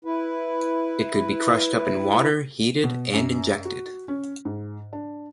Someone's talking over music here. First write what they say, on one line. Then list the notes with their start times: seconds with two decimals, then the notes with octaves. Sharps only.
It could be crushed up in water, heated and injected.
0.05 E4 B4
2.84 B2
3.13 F#2
3.65 F#4
4.08 C#4
4.45 G#2
4.93 D4